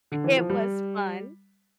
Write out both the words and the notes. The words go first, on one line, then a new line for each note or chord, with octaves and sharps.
it was fun.
D3
E3
F3
G3